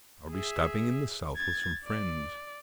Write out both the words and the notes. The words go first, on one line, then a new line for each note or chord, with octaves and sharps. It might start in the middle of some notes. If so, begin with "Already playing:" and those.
I'll be stopping in the south with some friends.
G#4 E5
G#6 A6
D5